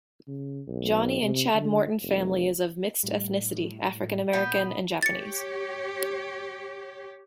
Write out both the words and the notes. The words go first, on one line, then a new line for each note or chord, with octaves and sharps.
Johnnie and Chad Morton family is of mixed ethnicity, African-American and Japanese.
C#3
B1
C3
D3
F1
A2 G3 A3
A#2 B3 G6
G4 C#5 A6 C#7